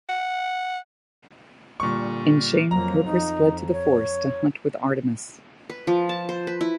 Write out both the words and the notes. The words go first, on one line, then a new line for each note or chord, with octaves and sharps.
In shame Procris fled to the forest, to hunt with Artemis.
F#5
A#2 D3 G3 C#6
F2 F3 F#3 A#3 A#5
F2 D#4
C#5
B4
F3
A5
C5
B4
E4